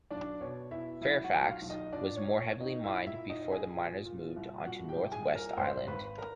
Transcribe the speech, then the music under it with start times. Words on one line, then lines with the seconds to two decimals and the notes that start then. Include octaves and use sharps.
Fairfax was more heavily mined before the miners moved onto North West Island.
0.11 B1 D4 D5
0.41 B2 C#5
0.71 B2 E4 E5
1.01 B1 E4 E5
1.24 F#4 F#5
1.32 B1
1.47 F4 F5
1.62 B1
1.70 D#4 D#5
1.93 A#2 D4 D5
2.16 C#5
2.23 A#2
2.38 C#5
2.53 A#2
2.61 D#4 D#5
2.84 A#2 E4 E5
3.07 E4 E5
3.14 A#2
3.30 D#4 D#5
3.44 A#2
3.52 G#4 G#5
3.75 A#2
4.05 A#2
4.36 C2
4.66 A#2 F#4 F#5
4.89 G4 G5
4.96 C2
5.12 G#4 G#5
5.27 A#2
5.35 A#4 A#5
5.57 G#1 C5 C6
5.87 G#1 B4 B5
6.18 A#4 A#5